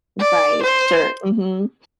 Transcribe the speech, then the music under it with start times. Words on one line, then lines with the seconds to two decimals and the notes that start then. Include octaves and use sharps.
Right, sure. Mhm.
0.20 D5
0.63 C5